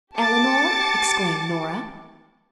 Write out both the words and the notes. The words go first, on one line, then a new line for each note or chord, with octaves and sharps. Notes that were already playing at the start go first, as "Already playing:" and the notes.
"Eleanor?" exclaimed Nora.
G4 A5 D6 A6 C#7